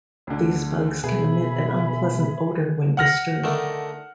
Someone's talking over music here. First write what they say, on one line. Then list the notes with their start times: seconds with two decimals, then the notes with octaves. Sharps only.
These bugs can emit an unpleasant odor when disturbed.
0.27 D2 D3
1.04 B2 G#4 E5 B5
2.97 F#5 F6 A#6
3.44 D3 D#3 A3